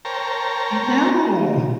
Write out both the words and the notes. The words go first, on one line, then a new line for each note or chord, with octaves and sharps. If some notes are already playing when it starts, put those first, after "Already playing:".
I know.
A#4 C5 C#5 G5 A5 A#5